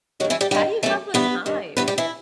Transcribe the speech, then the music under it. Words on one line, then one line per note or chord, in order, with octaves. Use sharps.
Like, how do you have the time?
G2 D#3 F#3 F#4
E3 E4
G3 G4
G2 D#3 G3 G4
F#2 E3 A3 A4
G2 E3 B3 B4
G2 D#3
G2 E3 B3 B4
G3 G4
E3 E4